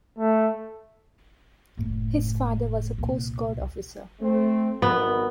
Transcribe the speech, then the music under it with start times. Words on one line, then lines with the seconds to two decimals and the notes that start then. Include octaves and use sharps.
His father was a coastguard officer.
0.18 A3
1.77 F#1 A2
2.98 C2 A#2
4.20 A3 C4
4.82 G#1 G2 B3 A#4